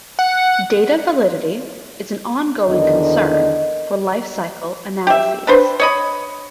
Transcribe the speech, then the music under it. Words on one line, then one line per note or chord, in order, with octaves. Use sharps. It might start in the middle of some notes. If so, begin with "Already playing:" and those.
Data validity is an ongoing concern for life cycle analyses.
F#5
E2 D3 D#3 D#5
G4 E5
D4 B4 C5
C#5 D#5 B5